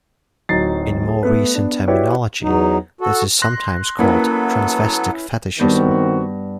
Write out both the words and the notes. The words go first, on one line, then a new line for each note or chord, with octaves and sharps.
In more recent terminology, this is sometimes called transvestic fetishism.
D1 F#3 D#4 A6 C7
G#4
A3 B3 A4 B4
B3 D4
E4 F#4 G4 B4 C#5 D5
E2 F#3 D#4
F#4 A4
C6 F#6 A#6
F#3 A#3 B3 C#4 E4 A4 B4
G2 D#3 B3 C4 F#4 G6